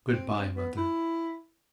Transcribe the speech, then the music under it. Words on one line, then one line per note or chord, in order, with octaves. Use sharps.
"Good-bye, mother."
C4
C4
B3
E4